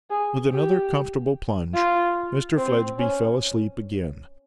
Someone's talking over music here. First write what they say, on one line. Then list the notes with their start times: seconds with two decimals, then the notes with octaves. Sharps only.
With another comfortable plunge, Mr Fledgeby fell asleep again.
0.10 G#4
0.51 G4
1.74 F4
2.58 C4
2.99 C#4